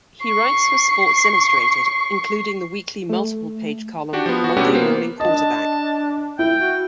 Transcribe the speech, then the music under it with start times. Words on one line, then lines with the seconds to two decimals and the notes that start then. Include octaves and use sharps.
He writes for "Sports Illustrated", including the weekly multiple-page column "Monday Morning Quarterback".
0.24 C#6 C7
3.09 A3
4.13 D4 F#4 G4
4.26 F3 B3
4.44 F#4
4.57 C3 B3 C#4 D4 F#4 G4
4.74 A#3 B3 C5
5.20 D4 D#5 A5
6.39 E4 G5
6.60 F#4